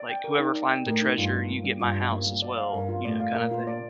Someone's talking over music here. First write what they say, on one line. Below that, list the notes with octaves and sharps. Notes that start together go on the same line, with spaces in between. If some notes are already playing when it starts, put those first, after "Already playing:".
like, "whoever find the treasure, you get my house as well," you know, kinda thing.
Already playing: D5
G5
A#4
D#4
D5
G5
A2 A#4
D#4
G2 F4
G3
A#3
G3
G2 F4
G3
A#3
G3
D5
F5
G2 A#4
F4
A2 D5
F5
A#2 A#4
F4
D5